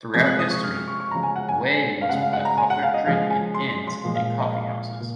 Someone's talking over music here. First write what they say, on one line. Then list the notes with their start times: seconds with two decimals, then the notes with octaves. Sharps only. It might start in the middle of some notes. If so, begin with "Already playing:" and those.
Throughout history, whey was a popular drink in inns and coffee houses.
0.14 C3 F3 G#3 G#6
0.26 F#6
0.39 D#6
0.51 C#6
0.63 F6
0.75 F6
0.88 C#6
1.00 C#6
1.11 C#3 F3 G#3 A#5
1.23 G#5
1.36 F#5
1.49 G#5
2.01 F5
2.09 C#3 G#3 F#5
2.22 F5
2.33 F#5
2.45 A#5
2.58 G#5
2.70 F#5
2.82 F5
2.94 D#5
3.06 C#3 F3 G#3 F5
3.30 G#5
3.54 C6
3.87 C6
4.04 A#2 F3 G#3
4.15 F5
4.40 D#5
4.53 F5
5.00 A#2